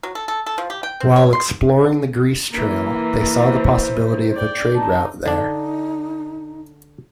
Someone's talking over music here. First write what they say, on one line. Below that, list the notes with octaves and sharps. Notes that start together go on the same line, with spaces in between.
While exploring the Grease Trail, they saw the possibility of a trade route there.
F#3
A4
A4
A4
F3
G4
G5
C4
C#5
C6
E3 A#3
C5
D5 G5
D#4 A5
D3 D4 D#4